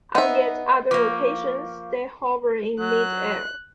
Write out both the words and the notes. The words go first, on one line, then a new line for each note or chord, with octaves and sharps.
On yet other occasions, they hover in mid-air.
B3 D#4 E5 F#5
F3 A#3 F5 C#6 D6
F#3 F#6